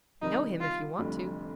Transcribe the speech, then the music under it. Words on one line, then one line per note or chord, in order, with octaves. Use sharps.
"Know him, if you want to."
C3 D#3 G3 D#4
F4
F1 F2 D3 G3